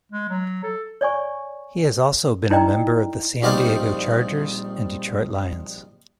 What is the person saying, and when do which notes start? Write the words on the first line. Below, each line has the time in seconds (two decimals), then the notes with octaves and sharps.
He has also been a member of the San Diego Chargers and Detroit Lions.
0.12 G#3
0.29 F#3
0.63 A4
1.01 C#5 D5 G#5 C#6
2.50 D#4 E4 D5 D#5 G5 A#5
3.42 A#1 G3 C4 D#4 F5 D6